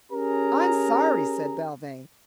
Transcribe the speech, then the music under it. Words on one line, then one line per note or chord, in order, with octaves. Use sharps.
"I'm sorry," said Belvane.
C#4 G4 G#4 A#4 A#5